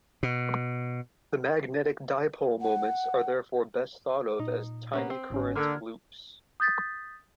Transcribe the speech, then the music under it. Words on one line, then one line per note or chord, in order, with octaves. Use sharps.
The magnetic dipole moments are therefore best thought of as tiny current loops.
B2
F#5
A#2 D#4
A#3 B3 C#4
C4
G1 G#2 C#4
D3 A#3 F6 G#6
D#6 G6 A6 B6